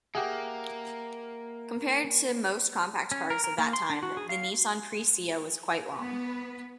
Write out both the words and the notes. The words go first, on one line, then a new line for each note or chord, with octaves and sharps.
Compared to most compact cars of that time, the Nissan Presea was quite long.
A#3 G4 G#4 E5 F#5
C#4
A#4
A#4
A#3
C6
D4
F#4
G#4
F5
B3 B4